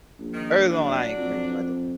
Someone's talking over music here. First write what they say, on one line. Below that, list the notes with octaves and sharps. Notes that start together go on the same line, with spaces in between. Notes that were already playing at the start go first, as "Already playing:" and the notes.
early on, I ain't care about it.
A#1
D#3
F#3 D4
F2